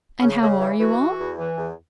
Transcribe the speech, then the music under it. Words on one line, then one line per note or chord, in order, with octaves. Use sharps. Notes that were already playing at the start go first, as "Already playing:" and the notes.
'And how are you all?
C#3 C#4
C#3 A#3
E3 G#4
E3 F#4
E3
E2
E3
E2